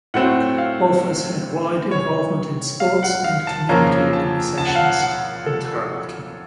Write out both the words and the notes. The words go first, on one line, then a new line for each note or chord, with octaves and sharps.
Wolfe has had wide involvement in sports and community organisations in Taranaki.
A2 F#3 A3 C4 F#5
F5
C#5
F5
F#5
F5
A5
F2 C#3 F3 A#3 C#4 A#5
A5
A5
F#5
F5
F#5
F#5
A4